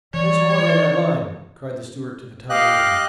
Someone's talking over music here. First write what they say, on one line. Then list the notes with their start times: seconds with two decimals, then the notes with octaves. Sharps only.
"Pour some water on that line!" cried the steward to the tub oarsman.
0.14 E3 C#5 D5
2.50 G4 D#5 F5 F#6